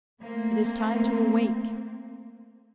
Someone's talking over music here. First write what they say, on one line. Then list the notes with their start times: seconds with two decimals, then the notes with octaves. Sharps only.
It is time to awake.
0.21 A3 A#3 C4